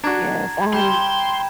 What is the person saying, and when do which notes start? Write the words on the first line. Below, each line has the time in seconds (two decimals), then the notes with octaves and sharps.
Yes. I'm
0.04 D4 F#4 A#5 G#6
0.73 G3 G5 B5 C6 G6 E7